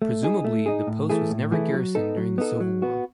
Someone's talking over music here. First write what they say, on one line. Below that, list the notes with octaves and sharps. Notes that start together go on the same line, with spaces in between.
Presumably the post was never garrisoned during the Civil War.
A3
D#4 G#4
A3
D#4 G#4
A2
E3 A3 E4 G#4
A2
E3 A3 E4 G#4
F#3
B3 D#4 A4
F#3
B3 D#4 A4
F#3
B3 F#4